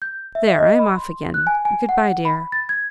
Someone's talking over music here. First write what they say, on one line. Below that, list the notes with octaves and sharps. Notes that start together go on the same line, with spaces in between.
There, I am off again.... Good-bye, dear.
G6
E5
D#5
B5
C6
F#6
G#5
G#5
F#5
B5
A6
G#6